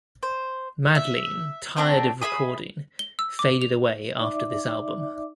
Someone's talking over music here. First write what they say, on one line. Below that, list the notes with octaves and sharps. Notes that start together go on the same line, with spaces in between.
Madleen, tired of recording, faded away after this album.
C5
E5
A3 C4 D4 A#5
G#4 E5 B5 D#6
G7
E6
D6
F7
D#4 D5 E5 D6